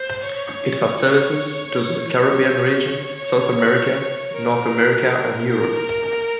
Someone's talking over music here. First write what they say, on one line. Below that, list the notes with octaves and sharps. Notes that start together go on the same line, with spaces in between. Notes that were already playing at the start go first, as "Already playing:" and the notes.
It has services to the Caribbean region, South America, North America and Europe.
Already playing: C5
C#5
C#5
C#5
A#4
A#4